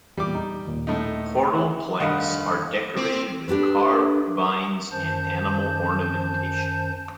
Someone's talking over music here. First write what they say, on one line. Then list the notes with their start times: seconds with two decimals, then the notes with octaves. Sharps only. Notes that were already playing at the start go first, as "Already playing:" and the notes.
Portal planks are decorated with carved vines and animal ornamentation.
0.17 E2 A#2 G3 D6
0.35 D#4
0.67 D#2 A#2
0.87 A2 A3 D#4
1.52 C#5 F#5
2.00 F1 G2 D#3 D#5 F5 F#5
2.97 C4
3.48 D4 G4 A4 B4
4.91 F#2 D#3 C#4 C5 A5 G6